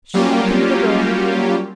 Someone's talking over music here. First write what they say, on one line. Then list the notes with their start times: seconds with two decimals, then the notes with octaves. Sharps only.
She opened the door.
0.14 F#3 G3 A#3 C#4 F4 G4